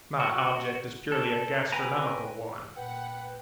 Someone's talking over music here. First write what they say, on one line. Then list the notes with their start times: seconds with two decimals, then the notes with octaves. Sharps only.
My object is purely a gastronomical one.'
0.20 F#4
1.12 A4
1.72 B4 G5 G#5 A#5
2.76 A#2 B4 F#5 G5